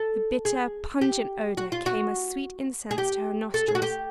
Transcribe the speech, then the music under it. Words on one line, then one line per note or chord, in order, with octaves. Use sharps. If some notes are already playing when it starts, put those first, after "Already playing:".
The bitter, pungent odour came as sweet incense to her nostrils.
Already playing: A4
G#4
G4
F#4
F4
F#4
G#4
G4
A4
G#4
F#4
G4